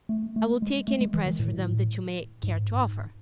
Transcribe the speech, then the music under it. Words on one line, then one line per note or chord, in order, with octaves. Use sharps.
I will take any price for them that you may care to offer.
A3
A3
G#3
A3
G#3
E3
D#3
A2
G#2